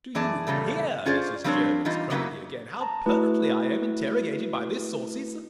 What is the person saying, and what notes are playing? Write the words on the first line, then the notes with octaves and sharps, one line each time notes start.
Do you hear, Mrs. Jervis, cried he again, how pertly I am interrogated by this saucy slut?
F#2 E3 G#4 D5 A5
E2 A#2 C#3 G3 A3
C#4 F4 G#4 C5 D5
F3 G3 C4 D4 A#4 C#5
E3 G3 D#4 F4
C#3 F#3 A#3 B3 E4 B4
A5 A#5
A3 E4 F#4 B4